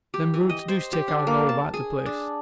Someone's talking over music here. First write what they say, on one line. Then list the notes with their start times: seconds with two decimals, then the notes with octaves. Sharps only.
Them roots do stick out all about the place.
0.14 G4
0.34 E3
0.50 D#5
0.68 C5
0.93 G4
1.08 D4
1.27 A#3
1.49 A5
1.74 G#4
2.06 D4